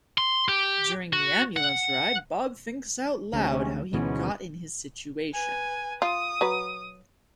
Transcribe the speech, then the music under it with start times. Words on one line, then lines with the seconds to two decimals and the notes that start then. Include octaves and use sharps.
During the ambulance ride, Bob thinks out loud how he got in his situation.
0.18 C6
0.49 G4
1.13 F#4
1.57 F#5
3.33 D2 C3 G#3 C#4
3.93 D2 G#2 B2 E3 B3 C#4
5.33 B4 G#5
6.02 F4 D#6
6.41 F#3 B4